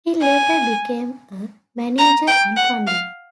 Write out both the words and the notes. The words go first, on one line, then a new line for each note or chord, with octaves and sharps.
He later became a manager and pundit.
G#5
A#5
G5
F#5
F5